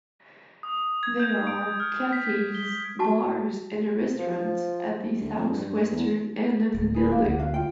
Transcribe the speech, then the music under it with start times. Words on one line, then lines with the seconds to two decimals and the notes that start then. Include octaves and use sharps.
There are cafes, bars and a restaurant at the south-western end of the building.
0.63 D#6
1.03 G#6
1.20 G6
1.47 D7
1.80 F6
2.13 B6
2.55 G7
2.99 F#4 A5
4.19 F3
5.20 D2
5.36 F2
5.52 G2
5.69 G2
5.91 E2
6.74 D1
6.95 G#4 B4
7.12 D4 E4 F5
7.25 D2 F#5
7.39 F#4 F5
7.54 F4 G5